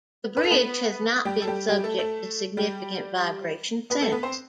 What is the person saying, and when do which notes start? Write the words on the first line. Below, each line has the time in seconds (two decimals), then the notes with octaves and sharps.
The bridge has not been subject to significant vibration since.
0.37 B4
0.44 A4
0.51 B3 B4
1.25 G3 G4
1.42 A4
1.47 G3 G4
1.69 G3 G4
1.84 A3 A4
1.98 A3 A4
2.57 G3 G4
3.90 B3 B4
4.01 A3 A4
4.12 B3 B4
4.23 C4 C5